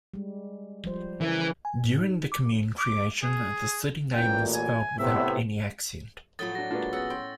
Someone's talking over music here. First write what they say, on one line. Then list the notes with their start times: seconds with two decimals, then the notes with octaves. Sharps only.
During the commune creation, the city name was spelled without any accent.
0.14 G3 G#3
0.84 F3 G3 C5
1.21 C#3 E3 A#4
1.65 G#5
1.84 A2
2.00 D#4
2.32 D6
2.78 D6
3.23 G#4
4.15 A1 A#2 G5
4.54 G#5
4.99 A2 C3 B3 E5
6.39 A2 F3 F#3 B5 D#6 A6 G7
6.55 D4 F#4 A#6
6.71 G#3 A#3 D4 F4 F#4 B4
6.93 B3 C#4 G#4 F#5 E6 A6
7.10 C#4 G5 C6